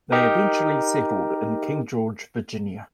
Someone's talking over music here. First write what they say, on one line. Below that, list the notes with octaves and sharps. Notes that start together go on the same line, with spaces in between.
They eventually settled in King George, Virginia.
D#4 G4 A#4